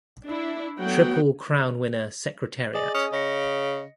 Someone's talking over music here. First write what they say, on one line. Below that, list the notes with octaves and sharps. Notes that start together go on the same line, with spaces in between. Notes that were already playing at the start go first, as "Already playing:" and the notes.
Triple Crown winner Secretariat.
D4 E4
F#3 A3 B3 F#5 G5
G#4 D5 D#5 G#5
C#4 D#6
C#3 D#5 A#6 C#7